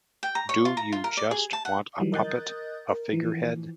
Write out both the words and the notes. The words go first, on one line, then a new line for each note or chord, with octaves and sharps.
Do you just want a puppet, a figurehead?
G5
A#5
C#5
F4
A#5
F4
A#4
D5
G#4
A5
F#5
D#3 E3 F#3 G3
A#4 D#5 D#6 F#6 G6 A6
A#4
E3 F3